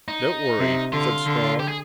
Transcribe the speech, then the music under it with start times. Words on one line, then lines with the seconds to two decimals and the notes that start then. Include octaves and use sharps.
"Don't worry," said Strong.
0.08 D#4
0.59 C3
0.92 D3 F4
1.26 D3
1.60 G4
1.68 G#4